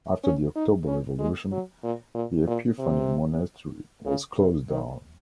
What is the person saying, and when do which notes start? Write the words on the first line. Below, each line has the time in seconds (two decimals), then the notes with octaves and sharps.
After the October Revolution, the Epiphany monastery was closed down.
0.24 C#4
0.55 D#4
0.87 C#4
1.19 G#3
1.51 F#3
1.83 A#2
2.14 A#2
2.47 A#2
2.78 C3
4.06 C#3
4.37 C3
4.70 D#3